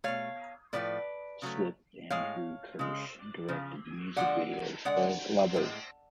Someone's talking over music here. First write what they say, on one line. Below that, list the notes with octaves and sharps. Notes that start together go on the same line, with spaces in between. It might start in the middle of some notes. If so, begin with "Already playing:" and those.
Swift and Drew Kirsch directed the music video for "Lover".
B2 A3 C#5 F5
A2 F3 A3 B4 D5
C#3 F#3 A3
A2 G#3 C#5 F5
C#3 G#3
C#3 F3
D3 F3 G#3 D5 F#5
D3 G#3 D5 F#5
A2 G#3